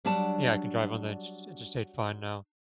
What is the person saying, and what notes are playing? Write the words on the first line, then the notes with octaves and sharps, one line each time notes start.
Yeah, I can drive on the insters interstate fine now.
F#3 G3 D4 D5 F#5 A5